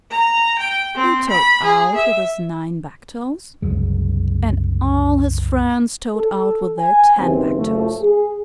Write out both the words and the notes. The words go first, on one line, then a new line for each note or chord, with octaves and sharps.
He toed out with his nine back toes, and all his friends toed out with their ten back toes.
A#5
G5
C4
B5
G#4
E5
F#1 C2 F#2 G#3
A4
G#5
F#1 D#2 E3 C4
F#1 F3 A3
G#4